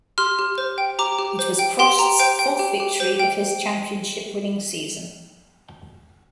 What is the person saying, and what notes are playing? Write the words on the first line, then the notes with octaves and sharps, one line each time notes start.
It was Prost's fourth victory of his championship-winning season.
G4 C6 F6
G4
C5
G5
G4 A#5 D6
G4
C5
G5
G4 G5 C6
G4 A#5
C5 G5
G5
G4
G4
C5
G5